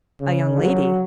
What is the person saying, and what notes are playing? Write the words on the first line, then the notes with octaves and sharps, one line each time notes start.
"A young lady?"
C#3
F#3